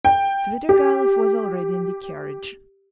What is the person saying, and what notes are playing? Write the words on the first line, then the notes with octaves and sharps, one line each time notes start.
Svidrigailov was already in the carriage.
G5
G4